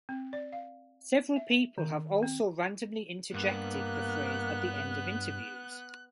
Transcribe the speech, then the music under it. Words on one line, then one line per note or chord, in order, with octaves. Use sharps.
Several people have also randomly interjected the phrase at the end of interviews.
C4
D5
F5
E5
D#3
C4
G2 A#3 B3 F#6